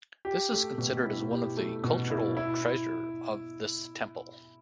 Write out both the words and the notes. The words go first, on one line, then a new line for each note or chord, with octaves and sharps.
This is considered as one of the cultural treasure of this temple.
G4
A3
B2
E4
G4
A3
B2
E4
E4